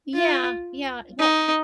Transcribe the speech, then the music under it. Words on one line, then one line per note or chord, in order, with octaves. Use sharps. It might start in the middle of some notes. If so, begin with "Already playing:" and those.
Yeah, yeah. Well,
F4
D#4